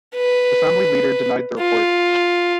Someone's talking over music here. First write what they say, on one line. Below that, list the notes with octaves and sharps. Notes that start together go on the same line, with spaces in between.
The Family Leader denied the report.
B4
F4